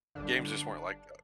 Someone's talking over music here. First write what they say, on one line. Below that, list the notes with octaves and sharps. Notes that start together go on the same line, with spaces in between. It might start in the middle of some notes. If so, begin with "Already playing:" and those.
Games just weren't like that.
G1 G2 D3 D4
D4